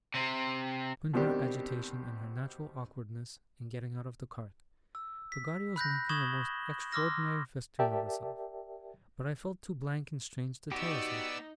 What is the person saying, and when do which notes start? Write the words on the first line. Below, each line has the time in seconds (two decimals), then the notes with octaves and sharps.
Between her agitation, and her natural awkwardness in getting out of the cart, Peggotty was making a most extraordinary festoon of herself, but I felt too blank and strange to tell her so.
0.14 C3 C4
1.14 B2 D#3 G3 C4 D4 G4
4.95 E6
5.32 B6
5.76 B5 F#6 G6 A#6
6.09 C#6 D#6 G#6 E7 F#7 G7
6.92 C6 D6 E6 F6 A#6
7.79 G4 A#4 D5 E5 G5 A5
10.72 B2 B3 D#4 F#4 G4 D5 E6